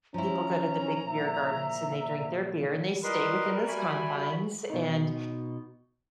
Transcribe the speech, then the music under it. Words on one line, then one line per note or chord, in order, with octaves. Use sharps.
People go to the big beer gardens, and they drink their beer, and they stay within those confines. And
F3 C#4 E4 A#5
A#2 E5
G3 E4 F4 A#4 B4 D#5 C6
F#4 E5 G#5 B5
B2 D#4